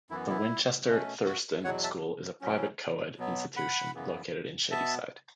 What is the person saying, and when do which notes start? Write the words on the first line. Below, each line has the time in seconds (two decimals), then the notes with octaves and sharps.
The Winchester Thurston School is a private co-ed institution located in Shadyside.
0.10 F#2 E3 B3 E4
0.29 E4
0.88 B2 A3 C#4
1.26 F#4
1.64 E2 B2 F#3 C#5 F#5
1.83 E5 A5
2.41 A2 F#3 C#4
3.18 B2 F#3 B3
3.56 F#5 B5
3.94 F#2 C#3 E3 B3
4.71 B2 B3 E5 A5